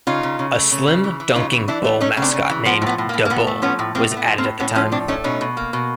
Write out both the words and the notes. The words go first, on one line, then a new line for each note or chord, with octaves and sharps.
A slim, dunking bull mascot named "Da Bull" was added at the time.
C#3 D#4 F4
C#3
C#3
A3
C#3
C#3
E3
E3
C#3 D#4 F4
E3
E3 D4 E4
A3
A3 C#4 D#4
C#3
C4 D4
C#3
E3
F3 B3
A2 B3
A2
A#3
A2
A#3
A2 B3
A3
F3 B3 C#4
A2
A2 A#3 C4
A3
B3
F3
A#3 C4
A2
A2 B3 C#4
F3 B3 C#4
A2 C4 D4
A3 C#4 D#4
B2 C#4 D#4
B2
A#3
B2